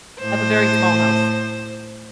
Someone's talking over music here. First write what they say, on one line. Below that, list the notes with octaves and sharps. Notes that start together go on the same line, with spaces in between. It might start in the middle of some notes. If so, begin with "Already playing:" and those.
I have a very small house.
A2 C5